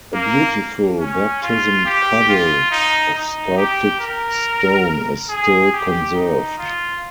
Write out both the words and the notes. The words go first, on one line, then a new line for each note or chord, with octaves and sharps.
A beautiful baptism puddle of sculpted stone is still conserved.
A#3
C#4
F4
G4
F4
D#4
D#4
G4
A#4
G#4
G4
D#4
F4